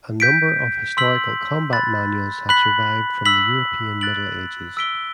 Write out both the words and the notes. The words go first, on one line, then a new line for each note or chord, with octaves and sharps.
A number of historical combat manuals have survived from the European Middle Ages.
G6 B6 D7
C6 E6 B6 F#7
B5 F#6 A6
B5 F#6 B6 F#7
E6 B6 F#7
F#6 A6 D7 F#7
E6 B6 D7 G7